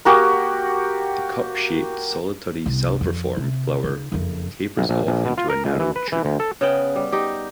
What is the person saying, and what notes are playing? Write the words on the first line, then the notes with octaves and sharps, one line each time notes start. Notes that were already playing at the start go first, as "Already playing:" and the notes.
The cup-shaped, solitary, salverform flower tapers off into a narrow tube.
A#3 F#4 G4
C2 B3
F2
C3
C#3 D#4
F#1 F2
B1
A#1
A#1
B2
F4
A#4
C#2
E3
B4
E3
D2
A4
C#3 B3 G5
G3
D#4 G4